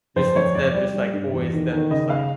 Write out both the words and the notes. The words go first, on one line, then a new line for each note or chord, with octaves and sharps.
Just instead of just, like, always them just, like,
F2 C5
F2 C#5
F2 D5
G3 D5
G3
G2
E2
D#3
D#3
C#3 D#5
C#3 F5